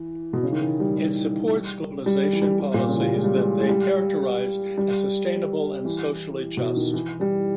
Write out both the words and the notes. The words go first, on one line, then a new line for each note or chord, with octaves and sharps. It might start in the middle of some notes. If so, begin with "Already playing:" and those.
It supports globalisation policies that they characterise as sustainable and socially just.
Already playing: E3
B2
C#3
D#3
E3
G3
G3
G3
E3
G3
G3
A#2
C#3
E3
G3
G#3
G3
G#3
G#3
G3
G3
E3
B2
D#3
E3
G3